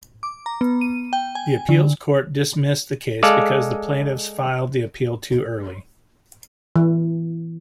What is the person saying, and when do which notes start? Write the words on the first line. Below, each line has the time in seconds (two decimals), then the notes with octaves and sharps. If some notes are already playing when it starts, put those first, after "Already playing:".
The appeals court dismissed the case because the plaintiffs filed the appeal too early.
0.23 D6
0.46 A#5
0.61 B3
0.81 D#7
1.13 G5
1.35 G#5
1.69 D3
3.23 G#3 A4 D5 F5
6.76 E3